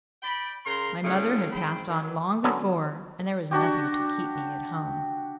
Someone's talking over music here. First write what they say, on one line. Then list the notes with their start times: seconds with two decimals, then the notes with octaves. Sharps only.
My mother had passed on long before, and there was nothing to keep me at home.
0.23 D5 G5 B5
0.65 C#3 A#4 A#5 C6
1.03 A2 C#3 G#3 A3
1.51 G#2 C4 C5 G5 B5
1.88 D#3 F#3
2.44 D3 F#3 B3 C#4
3.51 D4 F#4 G4